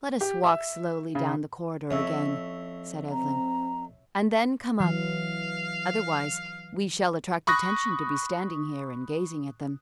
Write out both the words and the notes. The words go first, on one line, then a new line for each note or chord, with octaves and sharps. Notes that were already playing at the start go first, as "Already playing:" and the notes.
"Let us walk slowly down the corridor again," said Evelyn, "and then come up; otherwise we shall attract attention to be standing here and gazing at them."
G4
E5
C#3
F2 C#5 E5
C4 A#5
E3 F#3 F5
B5 C#6 D#6 F#6 A#6